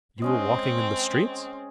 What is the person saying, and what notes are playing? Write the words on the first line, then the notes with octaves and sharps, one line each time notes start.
"You were walking in the streets?"
G#3 C4 C#4 D#5